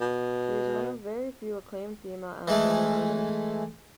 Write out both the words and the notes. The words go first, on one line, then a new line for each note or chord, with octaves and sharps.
She is one of very few acclaimed female outsider artists.
B2
E3 G#3 A3